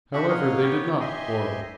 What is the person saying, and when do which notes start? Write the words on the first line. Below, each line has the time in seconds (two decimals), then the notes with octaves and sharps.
However, they did not quarrel.
0.13 D4 E4 F#4 G4 B5 C#6
0.29 A#4 C#5 D#5 F5 F#5
0.62 B3 G4 C#5
1.00 G4 D#5 E5 G#5 C6